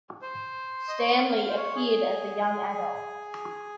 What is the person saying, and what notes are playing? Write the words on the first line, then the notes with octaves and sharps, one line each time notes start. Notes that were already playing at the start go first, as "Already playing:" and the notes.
Stanley appeared as a young adult.
C5
D#5
C#5
F5
F5
C5
C#5
G#4